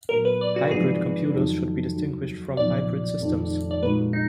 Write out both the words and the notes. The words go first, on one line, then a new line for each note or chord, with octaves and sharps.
Hybrid computers should be distinguished from hybrid systems.
A#2 F#3 B3 A#4
B4
D5
F#4
G#1 G#2 F3 G#4
F2 D#3 F#3
D#2 D#3 F#3
B1 A#2 F3 D5
F1 F2 D#3
D5
A#2 G#3 D#4 F#4 B4
D#4